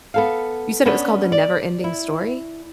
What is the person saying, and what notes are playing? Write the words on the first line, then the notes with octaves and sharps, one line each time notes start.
You said it was called The NeverEnding Story?
B3 A4 F5
B3 C#4 D4
D5
E4